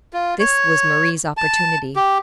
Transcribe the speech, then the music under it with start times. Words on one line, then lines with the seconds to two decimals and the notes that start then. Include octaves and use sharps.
This was Marie's opportunity.
0.13 F4
0.39 C#5
1.37 A5
1.96 G4